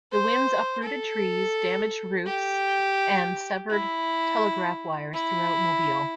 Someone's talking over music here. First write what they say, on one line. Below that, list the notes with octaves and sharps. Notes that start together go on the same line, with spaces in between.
The winds uprooted trees, damaged roofs, and severed telegraph wires throughout Mobile.
C5
A4
G4
E4
E4